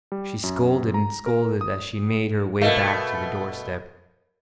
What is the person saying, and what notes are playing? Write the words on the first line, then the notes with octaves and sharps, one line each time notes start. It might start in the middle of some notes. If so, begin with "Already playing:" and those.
She scolded and scolded as she made her way back to the doorstep.
G3
F#2
A#5
A#4
D#6
B2 A3 A#4 D#5 F5